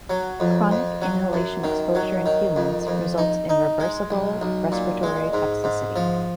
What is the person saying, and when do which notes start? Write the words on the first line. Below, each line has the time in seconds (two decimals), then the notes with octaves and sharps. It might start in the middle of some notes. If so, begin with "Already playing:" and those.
Chronic inhalation exposure in humans results in reversible respiratory toxicity.
0.10 F#3
0.40 F2
0.71 F2
1.02 F#3
1.33 F#2
1.64 D#3
1.95 F#3
2.26 D#3
2.56 F2
2.87 F2
3.18 D#4
3.49 D#4
3.80 G#3
4.10 B1
4.42 B1
4.72 A#2
5.03 G#3
5.33 G#2
5.64 G#2
5.96 F3